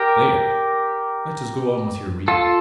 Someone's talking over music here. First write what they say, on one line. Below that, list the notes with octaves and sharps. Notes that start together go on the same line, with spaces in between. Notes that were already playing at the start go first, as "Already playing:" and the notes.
There! let us go on with your reading.
Already playing: G4 A#4
F4 A4